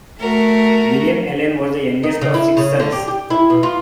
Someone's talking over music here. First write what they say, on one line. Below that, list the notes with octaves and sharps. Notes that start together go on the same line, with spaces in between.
William Allen was the youngest of six sons.
A3 F#4 A#4
D#4
C#3
E4
C#3
D3
G4
G4
E4
B2
F4